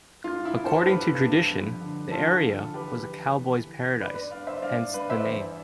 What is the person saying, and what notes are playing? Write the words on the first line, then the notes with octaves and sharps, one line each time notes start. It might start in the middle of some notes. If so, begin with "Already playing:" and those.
According to tradition, the area was a cowboy's "paradise", hence the name.
G2 F4
E4
G2
A4 C5
G2 G4 B4
G2
F2
D3
D3 F4 A4
D3
E3 G4 B4
E3
E3
E3
G2 B4 D5
B4 D5
G2 D5 F5
C5 E5
G2 D5 F5
G2 B4 D5
C5 E5
E2